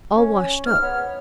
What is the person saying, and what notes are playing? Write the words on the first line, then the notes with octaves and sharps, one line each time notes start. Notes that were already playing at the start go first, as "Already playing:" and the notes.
All washed-up!
C#4
G#2 F6
B3 C#5